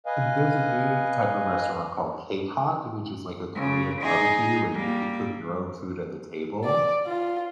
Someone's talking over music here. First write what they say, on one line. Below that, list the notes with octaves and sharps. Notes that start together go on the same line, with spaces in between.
and there's a new type of restaurant called KPOT, which is like a Korean barbecue where you can cook your own food at the table.
B4 D#5 F5 G#5
C#3
D#4 G#4
G3 A#3
D5
F4